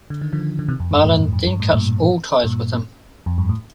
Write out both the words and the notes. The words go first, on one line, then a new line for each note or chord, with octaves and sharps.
Marlon then cuts all ties with him.
D3
D#3
D3 F3
D3
C3 D#3
F2
G2
F2 A2
F2
G2
A2
G2 A#2
G2 A#2
F2
G2
A2